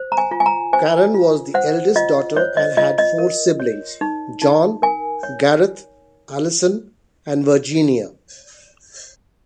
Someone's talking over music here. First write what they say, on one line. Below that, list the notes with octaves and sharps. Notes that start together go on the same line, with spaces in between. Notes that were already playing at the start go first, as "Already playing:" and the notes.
Karen was the eldest daughter and had four siblings: Jon, Gareth, Alison and Virginia.
Already playing: C5
A#5
G#5
F4
G#5
A#5
C5 G#5
F4
C5 F#5
F4 D#5
C5 C#5
D#5
F4 D#5
D#5
A#4
C#5
D#4
D#4
A#4 G#5
C#5